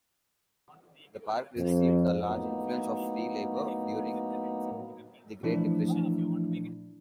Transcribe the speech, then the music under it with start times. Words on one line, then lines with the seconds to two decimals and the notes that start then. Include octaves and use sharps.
The park received a large influx of free labor during the Great Depression.
1.57 F2
2.28 A2 F#3 A#3 B3 D#4
5.43 A#2 E3 F3 A3 D4 E4